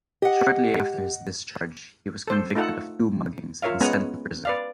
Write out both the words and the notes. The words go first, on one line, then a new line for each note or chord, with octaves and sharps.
Shortly after his discharge, he was convicted of two muggings and sent to prison.
G4 D#5 F#5
A4 C5
A3 D#4 F4 A4 F#5
F4 A#4 C#5 E5 F5
G#3 B3 C#4 F#5 G#5 A#5
B4 D5 F5